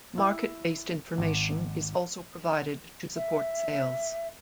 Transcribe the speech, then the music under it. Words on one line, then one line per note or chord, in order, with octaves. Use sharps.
Market based information is also provided to support sales.
E4
G#1
E5